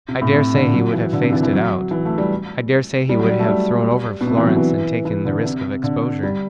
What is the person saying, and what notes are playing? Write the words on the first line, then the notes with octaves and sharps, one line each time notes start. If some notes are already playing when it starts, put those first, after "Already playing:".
I daresay he would have faced it out; I daresay he would have thrown over Florence and taken the risk of exposure.
C3
A2
C3
D3
F#3
E3
D3
C3
E3
E3
F#3
E3
A3
G3
G3
F#3
G3
A3
G3
B2
C3
E3
F#3
E3
E3
D3
C3
D3
G3